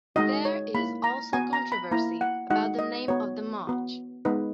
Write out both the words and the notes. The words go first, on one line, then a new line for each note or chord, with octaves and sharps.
There is also controversy about the name of the march.
G#3 D#4 F#4 D#5
C#5
A#3 E4 B5
A#5
B3 F#4 G#5
A#5
B5
A#3 E4 A#5
F#5
G#3 D#4 F#4 F#5
D#5
B3 F#4 C#5
B3 F#4
G#3 B3 D#4 B4